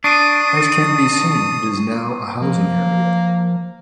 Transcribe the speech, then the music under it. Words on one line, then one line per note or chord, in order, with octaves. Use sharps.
As can be seen it is now a housing area.
D4 C#6 D#6 C7 D#7
F3 A#3